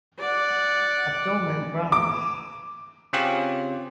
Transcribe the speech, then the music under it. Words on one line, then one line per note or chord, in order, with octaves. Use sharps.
Abdomen brownish.
D5 F#5
D6
C#3 C4 C#4 F4 G4